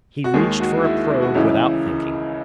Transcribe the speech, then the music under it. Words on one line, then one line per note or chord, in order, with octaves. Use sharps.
He'd reached for a probe without thinking.
F#4
D#2 D#3 G#3 G#4
F#4
E4
E4
F#4
C#2 C#3 E3 E4